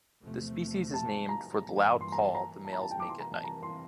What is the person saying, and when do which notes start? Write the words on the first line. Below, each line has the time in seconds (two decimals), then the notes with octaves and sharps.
The species is named for the loud call the males make at night.
0.22 E2 C3 F3 A3
0.94 A5
1.29 A#5
1.65 G2 E3 A#3
2.01 C6
2.12 A#5
2.23 A5
2.35 A#5
2.65 A5
2.73 A#5
2.81 A5
2.91 G5
3.00 D6
3.09 C3 E3 A#3 C6
3.20 A#5
3.32 A5
3.44 A#5
3.63 C6